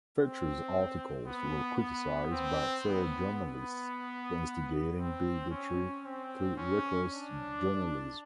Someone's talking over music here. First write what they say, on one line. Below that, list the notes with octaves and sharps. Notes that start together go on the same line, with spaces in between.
Fechter's articles were criticized by fellow journalists for instigating bigotry through reckless journalism.
C4
B3
B3
C4
B3
B3
C4
C#4
C4
C#4
D4